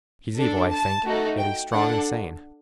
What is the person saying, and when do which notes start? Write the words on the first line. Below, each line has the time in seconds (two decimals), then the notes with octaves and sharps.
"He's evil, I think, yet he's strong and sane."
0.36 D4 A4
0.70 A5
1.04 A3 D#4 F#4 A4
1.38 G5
1.72 D4 A4 F#5